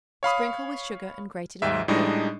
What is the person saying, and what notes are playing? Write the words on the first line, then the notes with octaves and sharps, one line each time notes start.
Sprinkle with sugar and grated lemon peel.
C#5 F5 B5 D#6
D#2 G#2 E5
A2 G3 G#3 D4 D#4 D#5